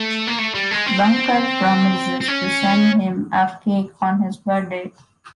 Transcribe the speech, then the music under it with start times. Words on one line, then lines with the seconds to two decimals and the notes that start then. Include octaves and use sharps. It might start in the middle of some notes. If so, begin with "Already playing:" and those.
Bunker promises to send him a cake on his birthday.
Already playing: A3
0.28 A#3
0.39 A3
0.54 G3
0.71 G#3
0.86 C4
2.21 C4
2.28 C#4